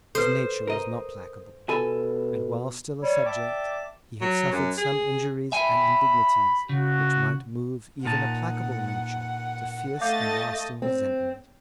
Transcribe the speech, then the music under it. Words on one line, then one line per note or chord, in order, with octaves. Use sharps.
His nature was not placable; and, while still a subject, he had suffered some injuries and indignities which might move even a placable nature to fierce and lasting resentment.
A4 B4 C5
A#4 D#5
B2 F4 A4 G#5
G3 C#5
D5 E5 G5 A5 D6
F#3
F#2
G#4
E5 G5 G#5 B5
C#3 F#4
A#2 D#4 F#5 A5
A3 D#5 F5 D6 G6 A6
C4